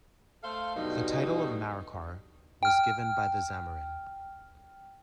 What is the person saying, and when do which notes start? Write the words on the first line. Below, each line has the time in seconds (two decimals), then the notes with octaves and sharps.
The title of "Marakkar" was given by the Zamorin.
0.43 A3 A4 C5 F5
0.75 G2 B2 D3 F#3 D#4
2.63 G5 F6